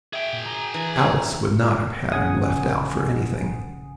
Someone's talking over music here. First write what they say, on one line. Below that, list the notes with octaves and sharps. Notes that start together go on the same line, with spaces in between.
Alice would not have had him left out for anything.
G#4 E5 G5
A#2
A#5
E3 A#5
A#1 C#3 F#5 G#5 D#6